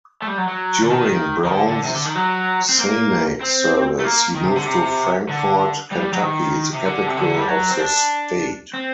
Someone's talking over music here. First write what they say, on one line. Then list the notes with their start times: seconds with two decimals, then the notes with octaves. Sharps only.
During Brown's Senate service, he moved to Frankfort, Kentucky, the capital of the state.
0.22 A3
0.27 G3
0.37 F#3
0.48 F#3
0.83 D3
0.90 D#3
1.45 D#3
1.53 D3
1.68 D3
1.84 C3
1.95 D3
2.05 D#3
2.15 F#3
2.69 C4
2.78 A#3
3.41 C4
3.99 A3
4.03 A#3
4.35 D#3
4.45 C3
4.56 D3
4.66 C3
5.29 D3
5.91 G3
6.01 G3
6.13 F#3
6.23 D#3
6.73 C3
6.85 D3
7.08 C3
7.17 D3
7.37 G3
7.48 F#3
7.71 C4
7.80 D4
8.73 C4